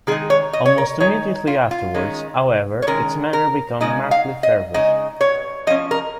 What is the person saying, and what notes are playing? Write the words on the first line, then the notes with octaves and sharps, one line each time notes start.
Almost immediately afterwards, however, its manner became markedly feverish.
D#3 G#3 D#4 G#4
C#5
D#5
C#5
A#4
D#3 G#3 D#4 C#5
F4
F4
D#3 G#3 C#4
C#5
D#3 G#3 C#4 A#4
A#4
C#3 G#3 D#4 D#5
F5
D#5
C#3 G#3 D#4 D#5
C#5
F3 C#4 D#5
A#4